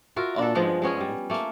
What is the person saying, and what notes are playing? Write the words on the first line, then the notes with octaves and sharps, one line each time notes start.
Oh my gosh.
F4 F#4 A#4 E5
D4 A4
F3 G#3 B3
G#3 B3 C#4 G#4
G3
A3 A#3